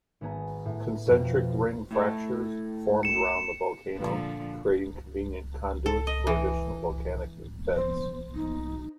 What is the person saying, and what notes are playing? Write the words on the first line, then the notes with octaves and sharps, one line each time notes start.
Concentric ring fractures formed around the volcano, creating convenient conduits for additional volcanic vents.
G#1 B3 G#4 A#5
A2
F2 B2
A2 E4 A4
C#7 E7
A#2 D3 F3
A4
D#5
E3
C5
D#4